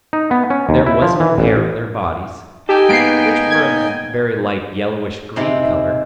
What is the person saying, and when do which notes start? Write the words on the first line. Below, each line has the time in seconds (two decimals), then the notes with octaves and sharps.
There was no hair on their bodies, which were of a very light yellowish-green color.
0.13 D#4
0.31 B3
0.50 C#4
0.69 D#2
0.86 E4
1.02 F3
1.20 E3
1.38 A1
2.69 D#4 G4 A4 G5 G#5
2.89 G#2 A#3 B3 C7 D7
3.50 G#6
5.36 G#2 C3 G#3 C4 E4